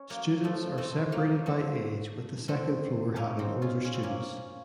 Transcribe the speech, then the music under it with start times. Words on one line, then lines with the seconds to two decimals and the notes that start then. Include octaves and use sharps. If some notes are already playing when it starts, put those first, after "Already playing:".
Students are separated by age with the second floor having older students.
Already playing: C#4
0.10 F#3 A#3
0.44 F3 A3
0.78 A3 C4
1.12 F#3 A#3
1.46 A3 C4
2.48 A3 C4
3.16 A#3 C#4
3.39 C4 D#4
3.62 C#4 F4
3.84 C#4
3.94 C4
4.03 A#3 C#4